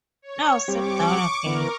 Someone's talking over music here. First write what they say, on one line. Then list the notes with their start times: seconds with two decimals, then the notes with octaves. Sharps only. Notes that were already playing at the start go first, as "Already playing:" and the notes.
Now sit down again.
0.22 C#5
0.68 G3 C4 G4 C#6 D6
1.46 E3 B3 A#4